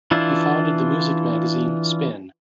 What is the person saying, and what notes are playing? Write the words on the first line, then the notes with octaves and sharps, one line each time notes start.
He founded the music magazine "Spin".
E3 D4 E4 F4